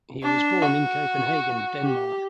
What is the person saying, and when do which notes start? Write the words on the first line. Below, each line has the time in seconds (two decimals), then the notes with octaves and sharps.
He was born in Copenhagen, Denmark.
0.23 D4
0.62 F#4
1.82 G4